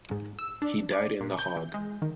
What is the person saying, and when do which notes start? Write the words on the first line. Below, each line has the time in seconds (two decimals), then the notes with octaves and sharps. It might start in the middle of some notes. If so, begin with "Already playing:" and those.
He died in The Hague.
0.11 G#2
0.39 E6
0.62 D4
0.92 D5
1.21 A#2
1.39 G6
1.57 E3
1.74 G#3
2.02 D#3